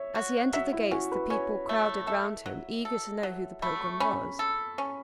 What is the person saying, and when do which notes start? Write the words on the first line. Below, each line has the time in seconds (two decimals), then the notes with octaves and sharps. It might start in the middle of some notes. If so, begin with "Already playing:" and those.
As he entered the gates the people crowded round him, eager to know who the pilgrim was.
Already playing: C#5 E5
0.15 F#4
0.53 F#3 E5
0.73 E4
0.91 C#4 F#4
1.12 B4
1.30 C#4 C#5
1.69 A3
2.07 A4 E5
2.46 F#3
2.85 A4
3.23 F#3
3.62 A3 B5
3.81 C#6
4.00 C#4 B5
4.39 A4
4.78 C#4